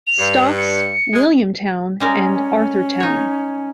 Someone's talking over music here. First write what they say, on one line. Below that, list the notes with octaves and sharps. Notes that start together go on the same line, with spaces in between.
Stocks, William Town, and Arthur Town.
F7
G2
C#7
G#3
G3 G#3 C#4 A#4
D#4 C#5